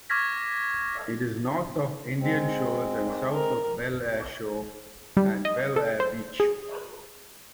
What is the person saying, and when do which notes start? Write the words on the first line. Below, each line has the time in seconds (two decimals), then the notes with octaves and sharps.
It is north of Indian Shores and south of Belleair Shore and Belleair Beach.
0.10 C#6 D6 F6 G#6 A#6 B6
2.20 G#3 C4
3.33 A#4
5.17 G3
5.45 D#5
5.76 A4
6.00 C5
6.40 G#4